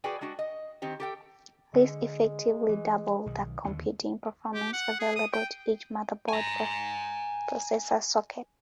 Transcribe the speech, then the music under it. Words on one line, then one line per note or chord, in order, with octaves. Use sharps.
This effectively doubled the computing performance available to each motherboard processor socket.
F#4 G#4 B4 D5 G5 G#5
G#3 D4 F#4
D#5
D#3 C4 G4
G4 A4 G5
D3 G#3
E3
B1 D#3
D#2 D3
G4
F#5
G#4
D#6
G5
G#5 A#5